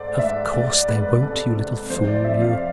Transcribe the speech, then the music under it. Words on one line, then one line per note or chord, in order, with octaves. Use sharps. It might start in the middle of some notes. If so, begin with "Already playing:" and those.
"Of course they won't, you little fool, you."
Already playing: G#2 A3 C5 D5
G#2 E5
G#3 D5
G#3 B4
C3 A4
C3
F2 C5
D5
F2 E5
F5